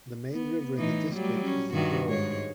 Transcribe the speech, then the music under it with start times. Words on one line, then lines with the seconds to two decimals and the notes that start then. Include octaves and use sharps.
The main river in the district is the Zorge.
0.32 B3
0.77 A2 E3 D#4
1.14 F#3 G3 A3
1.45 C#4
1.73 G2 D#3 F#4
2.08 G#2 G#3 C#5